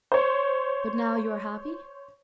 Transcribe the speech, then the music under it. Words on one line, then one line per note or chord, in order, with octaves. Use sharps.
"But now you are happy?"
C5 C#5